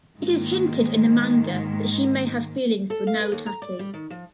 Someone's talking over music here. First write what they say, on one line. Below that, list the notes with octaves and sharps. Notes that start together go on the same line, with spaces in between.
It is hinted in the manga that she may have feelings for Narutaki.
G#2 D#3 G#3 A#3
A4
F5
B4
D#2
A#5
D5
G3
D#3
F3